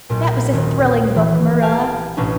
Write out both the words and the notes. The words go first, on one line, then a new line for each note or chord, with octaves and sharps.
That was a thrilling book, Marilla.
B1 A#2
D#1
E3
G4 F5 G#5 A5
A1 B2 C#4 D4